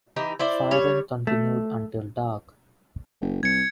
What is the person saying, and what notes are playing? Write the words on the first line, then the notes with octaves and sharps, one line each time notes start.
Firing continued until dark.
E3 D#4 G4
E4 C5 D5
G3 C#5
A3
F#1
C2 G#6 C#7